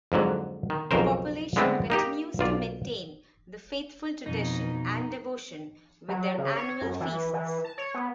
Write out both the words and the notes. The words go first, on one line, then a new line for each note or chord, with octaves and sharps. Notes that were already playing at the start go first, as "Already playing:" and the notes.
The population continues to maintain the faithful tradition and devotion, with their annual feasts.
F2 G#2 D3 F#3
D#3
B1 F2 C#3 A#4 C5
D3 G#3 A3 B3 C4
A#3 D#4 G4
B1 F4 D5
F2 B2 D#4
F#3
C#3
C#5
F#2
E3
E3
A5
C#5
B3